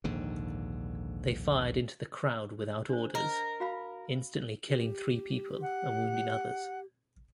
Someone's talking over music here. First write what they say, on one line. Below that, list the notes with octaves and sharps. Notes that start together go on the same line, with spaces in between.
They fired into the crowd, without orders, instantly killing three people and wounding others.
A#1 D#2 G#2 D3
D4 C5
A#4 D#5
F#4 F5 B5
G4
F#5